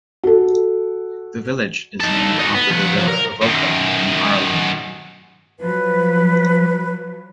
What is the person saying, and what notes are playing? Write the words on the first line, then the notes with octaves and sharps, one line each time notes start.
The village is named after the River Avoca, in Ireland.
F#4 A4
D#4 A4
D#4 F#4
B3
F3 F#5
F3 C#5
A#4
F#2 D#3
F3 F#3 B4